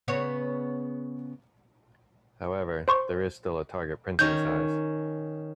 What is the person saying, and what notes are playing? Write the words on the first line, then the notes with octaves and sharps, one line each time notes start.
However, there is still a target printing size.
C#3 B3 C#5
C5 C6 C#6
D#3 C#4 G6